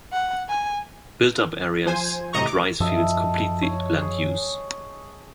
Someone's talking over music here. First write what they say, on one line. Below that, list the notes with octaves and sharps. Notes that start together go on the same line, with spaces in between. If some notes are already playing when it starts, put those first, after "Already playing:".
Built up areas and rice fields complete the land use.
F#5
G#5
F3 C5 G#5
A2 C3 D#5 A#5 C#6
D6
F#2 F3 A4 D#5 E5
C#5
G#4 C#5